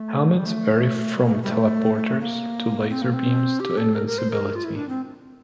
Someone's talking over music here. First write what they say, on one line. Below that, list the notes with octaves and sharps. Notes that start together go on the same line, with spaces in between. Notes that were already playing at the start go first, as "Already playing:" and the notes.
Helmets vary from teleporters, to laser beams, to invincibility.
Already playing: A3
G3
A3
G3
A#3
A3
G3
A3
A#3
C4
A#3
C4
G4
A4
A#4
A#4
C5
A#4
F4
E4
D4
C4